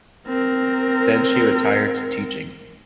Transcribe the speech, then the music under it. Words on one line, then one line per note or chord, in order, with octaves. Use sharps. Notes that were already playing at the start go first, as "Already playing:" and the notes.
Then she retired to teaching.
C4 A#4